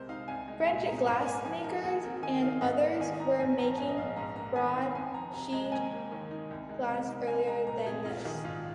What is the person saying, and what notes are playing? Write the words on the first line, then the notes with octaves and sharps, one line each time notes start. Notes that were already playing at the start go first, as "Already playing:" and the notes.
French glass-makers and others were making broad sheet glass earlier than this.
Already playing: C2 C3 G#3 A#4 C5
D#4 F5
C2 G#5
G#3
A#2 G#5
D#4 A#5
G#2 A#5
A#3 G#5
F3 G#5
D#4 A#4
D#2 G#4
C4 A#4
D#3 G#5
D#4 F5
G#2 D#5
A#3 F5
D#3 G#5
D#4 A#5
A#1 G#5
F3 A#5
G#2 G#5
D#5
A#1 F5
G#2 A#5
A#3 A#5
D#3 G#5
D#4 F5
F2 G#5
F3 A#5
C3 A#5
G#3 A#5
D#2 G#5
A#3
D#3
D#4
C2
G#3
C3
D#4
C2 G#5
G#3 A#5
A#2 A#5
C4 G#4
A#1 F4
D#3 G#4
G#2 F4